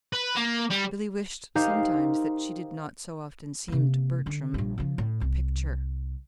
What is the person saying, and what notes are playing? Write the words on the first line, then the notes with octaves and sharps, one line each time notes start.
Billy wished, sometimes, that she did not so often seem to Bertram--a picture.
B4
A#3
G3
D#4 G4 A#4 C5 F5
C3 A#3
D3 D4
A#1 G2
C#3 F3
A2
C2